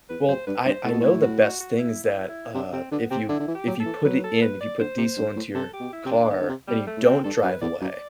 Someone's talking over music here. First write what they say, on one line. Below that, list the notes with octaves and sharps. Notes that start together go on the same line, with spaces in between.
Well, I I know the best thing's that, uh, if you if you put it in, if you put diesel into your car and you don't drive away,
E2 B4
F#2 C5
G2 B4
G2 C5
A2 A4
B2
A2 E4
F#4
F#4
F#4
E4
E4
E4
C3 D4
C3 C4
D3 B3
C3 C4
D3 E4
D3
E3
G4
F#3
A4
E3
F#3 B4
A4
B4
D5
D3 C5
C3
G2
A2
C3 A4
G4
B2
E4
C3 C4
D4
D3 B3
D3
C3
B2 G3
A3
A2
B2 C4
G2 A4
F#2 B4
E2 D5
F#2 D5